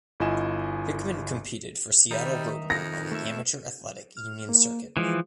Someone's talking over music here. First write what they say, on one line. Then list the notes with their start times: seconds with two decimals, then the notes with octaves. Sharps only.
Hickman competed for Seattle Rotary on the Amateur Athletic Union circuit.
0.20 G1 E4 F4 D#5 G#5 E7
2.11 D#3 G3 D#4 E5
2.70 F2 A#6
3.12 A3 E5
4.17 F6
4.49 A#3
4.97 E3 F3 G#3